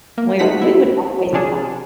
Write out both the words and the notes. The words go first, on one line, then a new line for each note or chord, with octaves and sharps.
we we would always, uh
A#3
G#3 A3 C4 D#4 F#5 B6
E4
C3 F3 C#4 D4 G#4